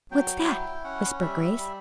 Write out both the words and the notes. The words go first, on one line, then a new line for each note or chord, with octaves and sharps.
"What's that?" whispered Grace.
F#3 G5
E4 G5
C#4 F#5
G3 E5
G3